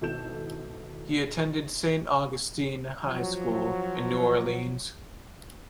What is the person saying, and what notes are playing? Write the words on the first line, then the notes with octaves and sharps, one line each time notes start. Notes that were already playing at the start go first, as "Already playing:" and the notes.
He attended Saint Augustine High School in New Orleans.
G#1 B2 E4 A4 G6 E7
F3 F#3